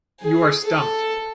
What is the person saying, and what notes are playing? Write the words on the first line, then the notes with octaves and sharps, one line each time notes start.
You are stumped.
G#4
A4